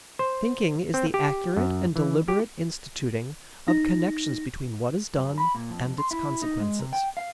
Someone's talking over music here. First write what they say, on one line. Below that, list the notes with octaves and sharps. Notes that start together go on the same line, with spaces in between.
Thinking is the accurate and deliberate instituting of connections between what is done and its consequences.
C5
C4
G4
F#2
E3
G4
D#4 A#6
F#2
B5
A#2
F2
F2
C6
E4
D#4
G#3
C3
G5
F5